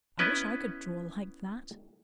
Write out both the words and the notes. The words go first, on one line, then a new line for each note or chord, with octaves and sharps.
I wish I could draw like that.
B3 C#4 E4 B4 D#5